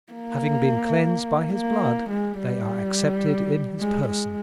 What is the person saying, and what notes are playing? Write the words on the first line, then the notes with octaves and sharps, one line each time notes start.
Having been cleansed by his blood, they are accepted in his person.
A#3
A#3
G#3
G3
G#3
G#3